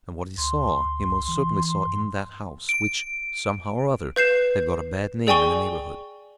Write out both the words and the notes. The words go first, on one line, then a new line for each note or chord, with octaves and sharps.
And what he saw, he most certainly saw in that house, which, somehow or other, had got a bad name in the neighbourhood.
D2 C6
C#2
E3
G2
D7
B4 G6 C7 E7
G#4 D5 G5 G#5 C#6 G7